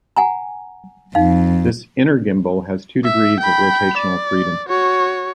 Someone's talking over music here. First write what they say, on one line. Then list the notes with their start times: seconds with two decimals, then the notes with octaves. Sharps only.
This inner gimbal has two degrees of rotational freedom.
0.16 F#5 G#5 A#5
1.15 F2 D#4 F5
3.04 E5
3.40 G5 B5
3.97 D5
4.68 F#4 C#5